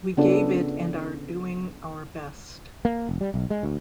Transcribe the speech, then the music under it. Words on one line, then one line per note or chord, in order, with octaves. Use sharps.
We gave it and are doing our best.
C#3 B3 C#4 D4 F4 A4
A#3
F1
G3
B1
G#3
D2